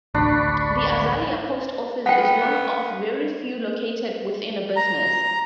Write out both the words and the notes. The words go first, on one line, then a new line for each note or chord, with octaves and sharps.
The Azalia post office is one of very few located within a business.
A1 D2 D4 B5 C#6
B3 F#5 G5
A#5